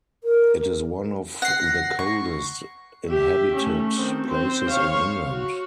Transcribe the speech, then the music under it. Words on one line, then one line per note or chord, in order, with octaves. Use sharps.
It is one of the coldest inhabited places in England.
A#4
F#5 A#6 C7
C#6
G4 E5
A3 C#4
D#3 C4
C4 C5
C#5 F5
F#4